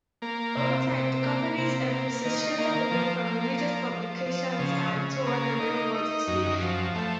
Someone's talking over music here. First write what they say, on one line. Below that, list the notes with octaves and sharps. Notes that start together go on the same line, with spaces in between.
Over time, the company's emphasis shifted away from religious publications and toward railroad history.
A#3
C3
C3
A#3
C3
A#3
D#3
A#3
F3
A#3
F3
F3
F3
C#3
C#3
A#3
D#4
D#4
F#2
F3
A3